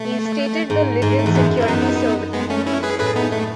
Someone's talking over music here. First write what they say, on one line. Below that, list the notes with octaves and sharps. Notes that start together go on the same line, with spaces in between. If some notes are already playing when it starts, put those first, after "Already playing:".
He stated The Libyan security services blew up the plane.
Already playing: B2 A3
G#2
G#2 G#3
A3
E2
F#2 G#3 B3
G#2 E4
F#2 B3 D#4
G#3 B3
A3 C#4
C#4 E4
G#4 B4
A2 G#4 B4
B3 D#4
A3